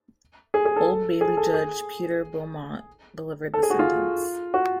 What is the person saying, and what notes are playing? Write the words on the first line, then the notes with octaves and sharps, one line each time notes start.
Old Bailey judge Peter Beaumont delivered the sentence.
G#4
G#4
A4
G#4
A4
G#4
A4
G#4
F#4
F4
F#4